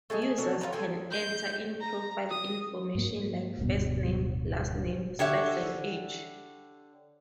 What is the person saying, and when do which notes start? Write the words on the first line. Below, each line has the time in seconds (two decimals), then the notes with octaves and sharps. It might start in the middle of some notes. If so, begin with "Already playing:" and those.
Users can enter in profile information like first name, last name, sex, and age.
0.10 A3 G#4 B4 D#5
0.22 G#5
0.38 F#3 D4 A4 C#5
0.61 F4 G#4 B4 A#5
0.73 G#4 A4 G5 G#5
1.11 G6
1.81 A#5
2.30 D#6
2.95 G#2 A#3
3.59 D1 G2 B2
5.19 D3 G4 C#5 E5